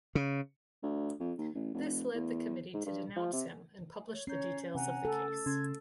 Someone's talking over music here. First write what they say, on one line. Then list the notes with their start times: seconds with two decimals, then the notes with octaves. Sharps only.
This led the committee to denounce him and publish the details of the case.
0.15 C#3
0.83 D2
1.20 F2
1.38 D#2
1.54 A1
1.74 F1
2.14 E2
2.74 G#2
2.86 G2
3.16 F3
3.33 C3
4.14 C#5
4.27 C#4 C#5 A#5 G6 C7
4.75 C3 F#5 G#5 A#5
5.05 C#3 A4
5.46 C#3 C6 E6 G#6